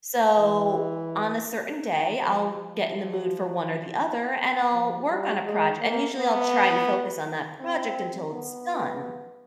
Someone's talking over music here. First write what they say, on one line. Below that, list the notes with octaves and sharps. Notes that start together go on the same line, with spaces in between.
so, on a certain day, I'll get in the mood for one or the other, and I'll work on a proj and usually, I'll try and focus on that project until it's done.
E3
F3
F3
F3
G3
G#3
A#3
B3
C4
B3